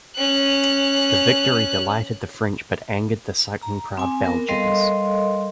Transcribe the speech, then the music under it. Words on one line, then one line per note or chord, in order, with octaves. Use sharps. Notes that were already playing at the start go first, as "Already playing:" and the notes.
The victory delighted the French but angered the cycling-proud Belgians.
C#4 F#6
A#5
C4 G#5 D6
B3 A#4
G3 A4 A#4 D#5 F5 C6